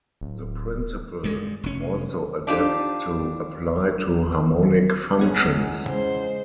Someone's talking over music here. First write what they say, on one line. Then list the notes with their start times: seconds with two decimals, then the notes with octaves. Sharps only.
The principle also adapts to apply to harmonic functions.
0.21 D1
1.24 G2 G#3
1.63 F1 C#4
2.47 D4 D#4 F4 G4
5.19 E2 G#3 C#4 G#4 F#5
5.88 C#3 G#3 C5